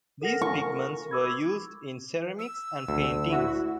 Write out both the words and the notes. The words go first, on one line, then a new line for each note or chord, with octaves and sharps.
These pigments were used in ceramics and painting.
A4 A#4 F#5 A#6
C#6
B5 D6 E6 G#6
E6
D2
E4 F#4